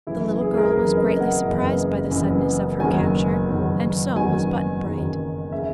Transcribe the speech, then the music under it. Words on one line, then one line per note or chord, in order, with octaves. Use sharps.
The little girl was greatly surprised by the suddenness of her capture, and so was Button-Bright.
F#1 F#2 E3 E4
G#4
G#4
A#4
F#1 F#2 E3 B4
D#5
F#5
F#1 F#2 E3
F#1 F#2 E3
F#1 E2 D#3 F#3 G#5
F#1 E2 D#3 F#3
F#1 E2 D#3 F#3 G#5
F#1 E2 D#3 F#3
C#3 E3 E5